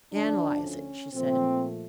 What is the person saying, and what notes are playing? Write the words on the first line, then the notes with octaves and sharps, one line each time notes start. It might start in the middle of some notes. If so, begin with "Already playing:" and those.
"Analyse it," she said.
D2 D3 F3 A3 D4
C#4
A#2 F3 A3 C4